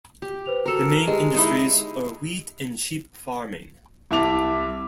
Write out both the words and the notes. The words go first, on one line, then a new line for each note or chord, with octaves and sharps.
The main industries are wheat and sheep farming.
G4
B4 C5 F7
F#4 A4 A#4 E6
G#3 G4 D#5
G#3 D#4 E4
C2 E4 E5 A5 D6 F7